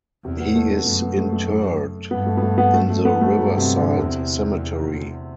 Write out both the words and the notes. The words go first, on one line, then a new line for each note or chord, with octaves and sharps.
He is interred in the Riverside Cemetery.
E2 C3
B3
A3
B3
F#2 A3
B3
A3
A3
G2 B3
A3
B3
A3
B3
A3
A3
B3
A3
G2 F#3
C3
D3
E2 C3